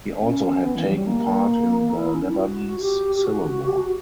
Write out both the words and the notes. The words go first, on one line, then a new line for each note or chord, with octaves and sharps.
He also had taken part in the Lebanese Civil War.
C#4
B3
E3
F#3
G3
A#3
E4
C#4
D4
E4
F#4
G4
G4
F#4
G4
F#4